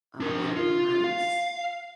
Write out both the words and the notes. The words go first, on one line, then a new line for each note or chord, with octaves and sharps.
uh, Wuthering Heights.
D4 A#4
F4
F5